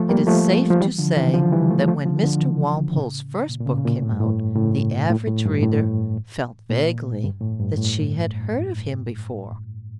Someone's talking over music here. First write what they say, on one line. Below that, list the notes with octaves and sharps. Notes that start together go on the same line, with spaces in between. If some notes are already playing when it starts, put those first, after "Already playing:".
It is safe to say that, when Mr. Walpole's first book came out, the average reader felt vaguely that she had heard of him before.
Already playing: F3 A3
G3 A#3
F3 A3
F3
E3 G3
D3 F3
C#3 E3
D3 F3
E3 G3
F3 A3
F3 A3
D3 F3
D3 F3
C#3 E3
A2 C#3
A#2
A#2
A2 C#3
C#3
A#2
A2
G2
A2
A2 C#3
A2
A2
G2
A2
A#2
G2
A2
G2
A2